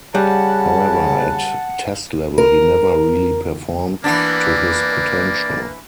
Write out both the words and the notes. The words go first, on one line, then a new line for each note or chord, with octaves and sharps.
However at Test level he never really performed to his potential.
C#3 G3 F#5 A5
A#4
E3 A#3 B3 D4 B4 D5